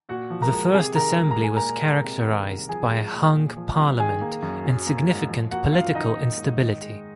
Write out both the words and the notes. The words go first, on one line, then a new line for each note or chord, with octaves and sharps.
The first Assembly was characterised by a hung parliament and significant political instability.
A#2 F#4 F#5
F3
A#4 A#5
G#3
C3 G#4 G#5
D#3 A#4 A#5
G#3
A#5
G#3 G#5
A#2 A#4 A#5
G#3
C3
D#3
C2
F3 G#4 G#5
G#3
A#2
A#2
F3
C2
D#3 G#4 G#5
A#3
F#2
F#3
A#3
G#2
F3
A#3 F#4 F#5
F#2 F4 F5
D#3 D#4 D#5
A#3
G#2
D#3
G#3